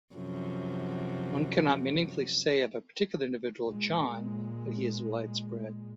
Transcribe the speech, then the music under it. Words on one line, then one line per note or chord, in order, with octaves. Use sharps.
One cannot meaningfully say of a particular individual John that he is widespread.
F#2 C3 F3
A#2 G#3